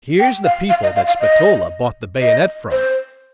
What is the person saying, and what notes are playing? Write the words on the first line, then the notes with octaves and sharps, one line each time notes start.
Here's the people that Spatola bought the bayonet from.
G5
F5
F5
D#5
F5
F5
D#5
D#5
C5